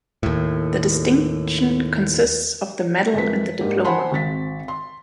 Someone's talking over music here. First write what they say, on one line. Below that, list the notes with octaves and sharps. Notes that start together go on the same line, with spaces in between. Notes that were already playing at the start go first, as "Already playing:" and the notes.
The distinction consists of the medal and the diploma.
D#2 A2
F2 G#3 A3 A#4 B4 B6
G#2 A#3 D4 G4
C5 F#5 G#5 A5 B5 C6
G#1 C4 A6 B6
C6